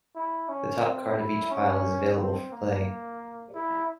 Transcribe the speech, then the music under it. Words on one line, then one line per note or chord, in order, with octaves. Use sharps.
The top card of each pile is available for play.
E4
C#4
C4
E4
C#4
C4
A#3
E4